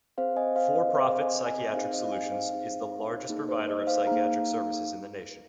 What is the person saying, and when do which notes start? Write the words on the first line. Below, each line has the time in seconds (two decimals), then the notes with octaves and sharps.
For profit Psychiatric Solutions is the largest provider of psychiatric services in the nation.
0.18 C4 G#4 C5 F5
0.37 D#5 G#5
0.56 C5 F5
0.76 D#5
0.95 C4 G#4 C5 F5
1.21 D#5 G#5
1.47 D#5 G#5
1.73 C4 D#4 G#4 C5 F5
1.93 D#5
2.05 F5
2.12 D#5 G#5
2.32 C5 F5
2.51 C4 D#4 G#4
3.29 A#3 D#4 G#4
3.49 C5
3.69 D#5
3.87 C5 F5
4.07 A#3 D#4 G#4 F5 A#5